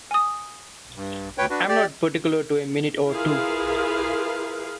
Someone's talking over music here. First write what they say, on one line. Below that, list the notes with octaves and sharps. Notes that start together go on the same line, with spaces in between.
I'm not particular to a minute or two.
G#5 D#6
G2
D2 B4 C#5 G5
D4 F#4 B4
G4 D5
E4 F4 G#4 A#4 B4 F5